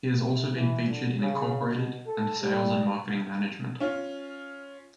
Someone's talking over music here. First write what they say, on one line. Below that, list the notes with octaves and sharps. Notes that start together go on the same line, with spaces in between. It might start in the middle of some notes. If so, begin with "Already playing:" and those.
He has also been featured in "Incorporated" and "Sales and Marketing Management".
C3
E3
D3
C#3
B2
A4
G3
C#4 F4